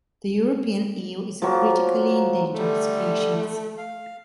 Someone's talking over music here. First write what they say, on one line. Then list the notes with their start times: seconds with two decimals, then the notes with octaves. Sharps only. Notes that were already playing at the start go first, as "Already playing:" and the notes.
The European eel is a critically endangered species.
1.42 F3 F#3 A#3
2.54 D3 G3 A3
3.78 F5